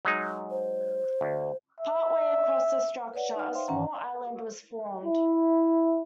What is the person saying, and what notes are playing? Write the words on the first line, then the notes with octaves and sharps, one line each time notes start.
Part way across the structure, a small island was formed.
F#3 G#3 D#4
C5
D2
E5
B4 C#5 D5 F#5
D#4 F6
C5 E5 F5 G5 C6
G2 D#3 E3 C#4 F#5 A#5
E4